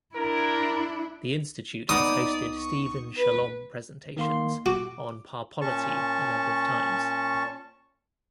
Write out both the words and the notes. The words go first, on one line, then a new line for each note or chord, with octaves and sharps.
The institute has hosted Stephen Shalom presentations on parpolity a number of times.
D4 E4 A#4
B3 D#4 D5 D#6
C#6
B4
D#3 A#3 C6
F#4 D6
A#2 C#4 A5 C#6